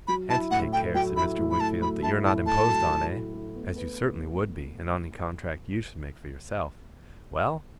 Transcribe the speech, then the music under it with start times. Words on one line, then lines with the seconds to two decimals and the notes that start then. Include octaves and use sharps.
'And to take care,' said Mr. Wickfield, 'that you're not imposed on, eh? As you certainly would be, in any contract you should make for yourself. Well!
0.08 F#3 B5
0.30 E4 A5
0.51 A2 F#5
0.73 A3 G5
0.94 F#3 G5
1.17 E4 B5
1.38 A2
1.51 B5
1.60 A3 A5
1.81 F#3 B5
2.03 E4 A5
2.24 A2 A5
2.46 A3 A5
2.68 F#3
2.89 E4
3.11 A2
3.33 A3
3.55 B3
3.76 B4